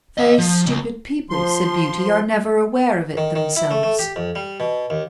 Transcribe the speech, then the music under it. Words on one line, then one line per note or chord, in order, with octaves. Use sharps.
"Very stupid people," said Beauty, "are never aware of it themselves."
D#5 F5
F3
C#2
F3 C6
D#3
D#3
E4
A3
A3
G4
F2
G3
B2
D#2